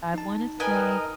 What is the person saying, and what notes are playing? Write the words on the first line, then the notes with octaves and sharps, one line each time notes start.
I wanna say,
D#4 A5
A#4 B4 D#5 G5 G#5